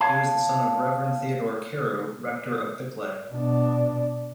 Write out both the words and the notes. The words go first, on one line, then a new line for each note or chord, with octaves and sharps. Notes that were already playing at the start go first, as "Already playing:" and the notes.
He was the son of Reverend Theodore Carew, rector of Bickleigh.
C#5 F5 A5
B2 D4